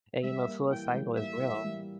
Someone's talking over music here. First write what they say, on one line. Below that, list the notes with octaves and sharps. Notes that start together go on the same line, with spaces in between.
and you know suicidal is real.
G3 E5
A#3
E3 G5
G3
A#3 E5
E3
G3